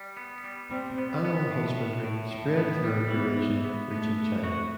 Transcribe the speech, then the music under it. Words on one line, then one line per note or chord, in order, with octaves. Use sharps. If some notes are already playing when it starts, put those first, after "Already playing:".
Animal husbandry spread throughout Eurasia, reaching China.
Already playing: G3
B3
G3
G3 C4
B3
B3
A2
A2
A2
A2
B3
G3
E3 B3
E3
B3
A3 B3
E3
F#4